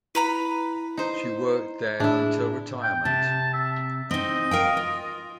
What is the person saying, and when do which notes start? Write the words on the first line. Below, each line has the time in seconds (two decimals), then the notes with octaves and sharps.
She worked there until retirement.
0.15 E4 B4 A#5 B5
0.97 D#4 C5
2.00 A2 D4 E4 G#4 E5
2.83 G5
3.05 C3 A5
3.53 E5
4.11 C4 D#4 D#5
4.51 A#4 F5 G5
4.77 F4